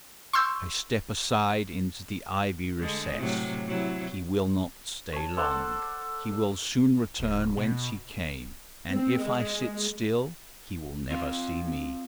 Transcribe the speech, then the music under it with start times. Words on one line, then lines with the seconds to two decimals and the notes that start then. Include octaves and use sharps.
I step aside into the ivy recess; he will not stay long: he will soon return whence he came, and if I sit still he will never see me.
0.33 C6 C#6 E6 G6
2.79 D3 G#3
3.15 A2 C3 F#3
3.67 C3 F#3 E4
5.13 C#5 A5
5.37 A4 C5 D5 F#5
7.18 D1
7.57 B2
8.92 C4
9.21 G#3
11.10 C4 F4 F5